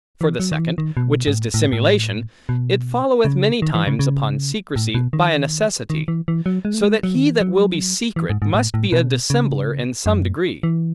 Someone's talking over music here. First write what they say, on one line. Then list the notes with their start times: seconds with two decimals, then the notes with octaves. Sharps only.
For the second, which is dissimulation; it followeth many times upon secrecy, by a necessity; so that he that will be secret, must be a dissembler in some degree.
0.21 E3
0.40 F#3
0.52 D#3
0.59 E3
0.78 D#3
0.97 B2
1.27 G#2
1.35 A2
1.54 A2
1.73 A2
2.49 B2
3.25 C#3
3.62 D#3
3.75 E3
3.87 C#3
3.99 C#3
4.76 A2
4.95 B2
5.13 D#3
5.90 D#3
6.08 E3
6.28 E3
6.46 F#3
6.65 G#3
6.74 A3
6.84 G#3
7.03 F#3
7.16 D#3
7.29 E3
7.41 F#3
8.16 E3
8.30 G#2
8.42 G#2
8.54 A2
8.74 A2
8.92 B2
9.30 C#3
10.06 F#2
10.63 E3